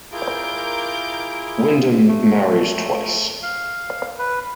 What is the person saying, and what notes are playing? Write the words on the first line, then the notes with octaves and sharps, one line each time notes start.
Wyndham married twice.
E4 F4 G#4 A#4 D6 G6
A3
F5
B4